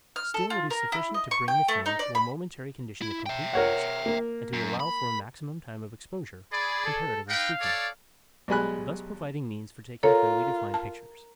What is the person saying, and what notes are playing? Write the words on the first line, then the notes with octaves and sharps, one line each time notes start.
Still it is sufficient to bring the film to a momentary condition of complete rest, and to allow for a maximum time of exposure, comparatively speaking, thus providing means for taking clearly defined pictures.
F6
A4
F4
A#4
E4
D#5
C#6
G5
A3
D#4
D5
B5
E4
E5 G5
A#4 C#5 F#5
A#3
F#2
B5
G#4 D5 B5
A4
D#4 B4 F5 G5
A4 C#5 D5
B1 G3 G#3 G#5 B5 F#6
F4 A4 A#4 C#5
A5